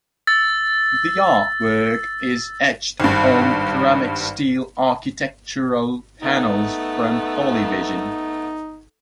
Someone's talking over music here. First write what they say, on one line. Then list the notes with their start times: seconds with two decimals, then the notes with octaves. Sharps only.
The artwork is etched on CeramicSteel architectural panels from PolyVision.
0.27 E6 A6
3.00 G#1 G2
6.22 A3 B3 D#4